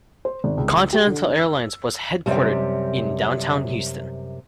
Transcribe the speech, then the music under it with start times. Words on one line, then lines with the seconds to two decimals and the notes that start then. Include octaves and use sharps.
Continental Airlines was headquartered in downtown Houston.
0.25 C5
0.44 G#1
0.57 C#2
0.93 G4
1.07 D3
1.38 E6
2.26 F#2 C3 G3